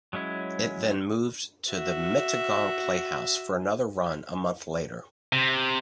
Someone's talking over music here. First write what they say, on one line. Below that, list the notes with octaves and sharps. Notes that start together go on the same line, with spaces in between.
It then moved to the Mittagong Playhouse for another run a month later.
F#3 G#3 C#4 E4
F#4 E5
C3